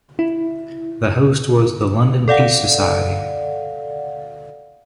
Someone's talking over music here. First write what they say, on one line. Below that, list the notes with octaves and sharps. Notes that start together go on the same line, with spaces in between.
The host was the London Peace Society.
E4
A4 D5 F5 F#5